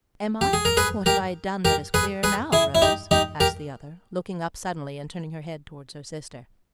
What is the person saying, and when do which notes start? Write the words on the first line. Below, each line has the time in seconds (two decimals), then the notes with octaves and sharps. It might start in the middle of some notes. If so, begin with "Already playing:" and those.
"Am I? What have I done that is queer now, Rose?" asked the other, looking up suddenly and turning her head towards her sister.
0.41 G4
0.53 G#4
0.65 A#4
0.77 G#4 B4
1.06 G4 A#4
1.65 G4 A#4
1.94 G#4 B4
2.23 G#4 B4
2.52 E4 G#4
2.75 E4
2.82 D#4 G4
3.11 D#4 G4
3.40 G4 A#4